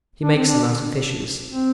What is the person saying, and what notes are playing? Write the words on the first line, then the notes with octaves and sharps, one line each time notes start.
He makes them out of fishes.
D4
C4
D4
C4